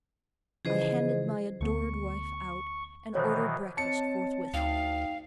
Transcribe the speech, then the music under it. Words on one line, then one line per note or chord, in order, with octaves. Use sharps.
I handed my adored wife out, and ordered breakfast forthwith.
C#3 E3 F3 G#4 C5 D#5
D2 A3 B3 C#6
B2 D#3 E3 C5 C#5
C4 C#5 D#5 A5 C#7
D2 D#4 F5 G5